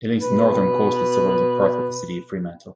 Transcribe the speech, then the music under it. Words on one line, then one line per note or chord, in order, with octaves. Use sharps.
It links the northern coastal suburbs of Perth with the city of Fremantle.
B2 B4